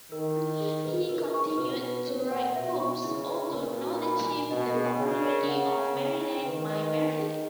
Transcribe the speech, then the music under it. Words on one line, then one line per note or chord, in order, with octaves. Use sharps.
He continued to write poems, although none achieved the popularity of "Maryland, My Maryland".
D#3 A#4
E4
G#4
B4
C#3 A#4
C#6
B2 B4
B4
A#2 C#5
F#5
B2 E5
C#6
C#3 E4
B4
A#2 A#4
F#4
B5
G#5
B2 D#5
G#4
C#3 C#5
A#4
C#3 F#5
A#5
C#3 C#5
E4
D#3 B4
D#5
D#4
G#4